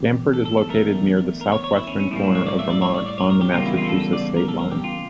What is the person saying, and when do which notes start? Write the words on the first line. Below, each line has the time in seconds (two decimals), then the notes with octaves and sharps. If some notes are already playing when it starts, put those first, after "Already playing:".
Stamford is located near the southwestern corner of Vermont, on the Massachusetts state line.
Already playing: E2 E3 A#3 G4
0.33 A4
0.45 A4
0.57 A4
0.70 E2 D3 A3 A#4
1.41 A#4
1.52 C#5
1.64 C#5
1.77 E4
1.87 C#4
2.00 C#4
2.11 A2 G3 A#3 E4
2.24 D4
2.35 C#5
2.47 D5
2.59 E5
2.70 D5
2.82 C#5
2.94 D5
3.06 D5
3.18 C#5
3.30 A#4
3.41 G4
3.53 E2 C#3 G3 A#3 F4
3.66 E4
3.77 F4
3.89 A4
4.13 D5
4.36 A#4
4.48 A4
4.59 A#4
4.71 G4
4.84 F4